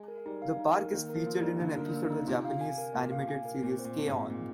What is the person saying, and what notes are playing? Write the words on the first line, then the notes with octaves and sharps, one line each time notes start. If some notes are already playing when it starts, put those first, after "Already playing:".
The park is featured in an episode of the Japanese animated series "K-On!".
Already playing: G#3
A#4
G3 D#4
F5
D#4
A#4
D#3 A#3
A#4
F3
A#3
G3 D#4
D3 A#3
A#4
A#3
D#4
C3 F4
F5
G#5
A#4
A#2 F4
F5
G#5
A#4
A#2 C4
C5
A#2
C4
G#2
F4
A#2 C4